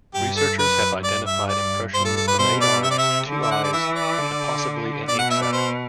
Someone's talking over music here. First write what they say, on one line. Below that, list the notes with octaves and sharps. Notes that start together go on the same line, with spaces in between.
Researchers have identified impressions of eight arms, two eyes, and possibly an ink sac.
G2 G4
A4
F#2 B4
G2 D5
E5
D5
G2 C5
A4
A4
B4
B2 C5
D5
C3 E5
D5
E5
D3
E5
F#5
D5
E3 E5
D5
D3
B2 D5
F#5
E5
D5
C5